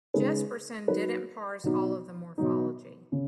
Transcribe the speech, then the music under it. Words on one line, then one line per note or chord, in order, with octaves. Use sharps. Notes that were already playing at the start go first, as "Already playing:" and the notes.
Jespersen didn't parse all of the morphology.
C#3 G#3 D#4 G#4 B4
F#3 D#4 B4
B2 F#3 D#4 F#4
B2 F#3 D#4
C#3